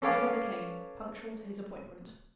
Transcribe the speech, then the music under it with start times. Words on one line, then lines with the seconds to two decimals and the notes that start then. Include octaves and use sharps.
My brother came, punctual to his appointment.
0.02 C#4 A4 B4 C#5 F5 D6